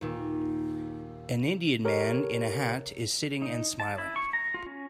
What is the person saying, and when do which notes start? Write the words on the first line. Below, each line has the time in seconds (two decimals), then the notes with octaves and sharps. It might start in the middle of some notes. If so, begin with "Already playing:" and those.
An Indian man in a hat is sitting and smiling.
0.01 D#2 A#2
1.85 G4 A4 A#4 C#5
3.42 D#4
3.80 A5
3.98 E4
4.16 C#6
4.33 A#5
4.54 F4
4.66 C#4